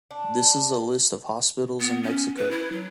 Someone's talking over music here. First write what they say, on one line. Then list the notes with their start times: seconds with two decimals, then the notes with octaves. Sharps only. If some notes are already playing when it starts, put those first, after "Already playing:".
This is a list of hospitals in Mexico.
0.11 D4
1.81 B3
2.03 C#4
2.37 B4
2.51 E4
2.72 F#3